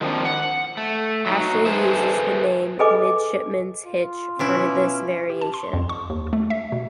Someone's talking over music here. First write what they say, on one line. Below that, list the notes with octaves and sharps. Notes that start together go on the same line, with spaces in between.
Ashley uses the name midshipman's hitch for this variation.
D#3 F3 B3 C4 D4
F#5
A3
F#3 D#4
G#4 A4 B4 C5 E5
G#4 A4 B4 D#5 G#5 D6
F4
B2 C#4 D4 E4
G4
A5
C6
F2
C#6
D#2
A3
E5
B2